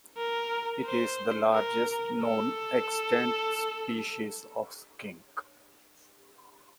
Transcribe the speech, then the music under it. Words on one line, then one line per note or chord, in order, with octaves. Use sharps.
It is the largest known extant species of skink.
A#4
C5
A#4
A4